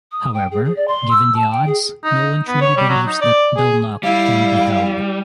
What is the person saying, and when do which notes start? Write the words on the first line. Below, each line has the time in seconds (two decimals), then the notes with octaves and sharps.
However, given the odds, no-one truly believes that Delnoch can be held.
0.11 D#6
0.34 G5
0.51 G#4
0.64 G#4
0.76 D5
0.87 C6
1.10 E6
1.35 A5
1.51 G5
1.66 G#4
2.04 D#4
2.48 B3
2.61 C#5
2.77 G3
2.89 F#3
3.07 D#4
3.21 D5
3.56 G#4
4.03 G3 E4 F5